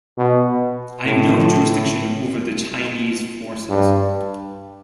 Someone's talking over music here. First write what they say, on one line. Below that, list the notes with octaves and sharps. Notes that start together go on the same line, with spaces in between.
I have no jurisdiction over the Chinese forces.
B2
A2
G2